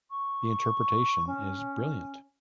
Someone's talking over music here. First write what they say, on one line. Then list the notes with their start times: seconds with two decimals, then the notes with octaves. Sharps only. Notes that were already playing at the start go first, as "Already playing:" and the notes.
The interpretation is brilliant.
0.10 C#6
1.27 C#4